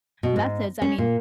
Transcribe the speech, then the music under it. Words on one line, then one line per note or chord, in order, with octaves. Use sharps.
methods. I mean,
B2
G#2
C#4
A#2